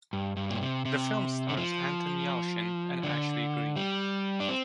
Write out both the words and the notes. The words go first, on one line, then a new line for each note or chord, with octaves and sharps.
The film stars Anton Yelchin and Ashley Greene.
G2
G2
A#2
C3
C3
D3
F3
D3
G3
D4
C4